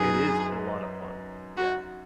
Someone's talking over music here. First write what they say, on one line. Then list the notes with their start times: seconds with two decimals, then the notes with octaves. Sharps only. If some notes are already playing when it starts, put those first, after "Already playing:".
It is a lot of fun. Yeah.
Already playing: F#2 F#3 D#4 G#4 B4
1.57 F#4